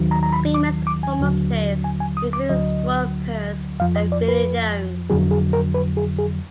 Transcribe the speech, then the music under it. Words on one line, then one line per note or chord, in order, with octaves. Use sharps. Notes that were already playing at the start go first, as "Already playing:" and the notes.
Famous former players include Stuart Pearce and Vinnie Jones.
Already playing: D#2 D#3 F#3
A#5
A#5
B5
D6
D6
G#5
D#2 D3 F#3
G#5
G#5
D#6
D6
D2 D3 F#3 D#5
F2 F3 F5
D#5
D5
B4
F2 D3 F#3 G#4
G#4
A#4
B4
G#4
G#4